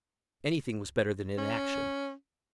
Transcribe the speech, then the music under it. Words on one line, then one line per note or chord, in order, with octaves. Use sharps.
Anything was better than inaction.
C#4